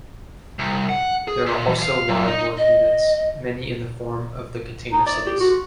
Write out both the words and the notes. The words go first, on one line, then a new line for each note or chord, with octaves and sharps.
There are also live-work units, many in the form of the Container Cities.
C2
F#5
G#4
A#2
E3
F5
F#2
D#4
D#5
D#4
D5
G4
F#4